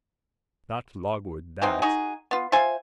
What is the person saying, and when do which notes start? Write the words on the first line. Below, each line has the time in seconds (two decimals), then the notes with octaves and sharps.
Not logwood that.
1.62 E3 F#3 C4 D#4
1.82 D#4 F#4 G#4
2.31 B3 F4
2.52 F4 C5 E5 G#5